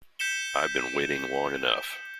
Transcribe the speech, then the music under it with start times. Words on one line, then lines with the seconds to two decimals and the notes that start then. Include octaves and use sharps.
I've been waiting long enough.
0.19 G6 B6 C#7 E7 G7